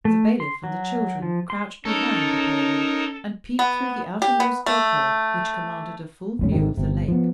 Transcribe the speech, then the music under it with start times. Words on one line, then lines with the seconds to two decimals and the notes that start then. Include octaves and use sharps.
The bailiff and the children crouched behind the paling, and peeped through the outermost dog-hole, which commanded a full view of the lake.
0.05 A3
0.40 C6
0.64 F#3
1.22 F3
1.50 C6
1.85 C#4 D#4 A4 A#4 C#5
3.59 B3
4.22 G4
4.40 B3
4.66 A3
6.39 F1 C#2 C#4
6.52 G#1 G#2 C3 D#3
6.77 G1 C3
7.08 F3 B3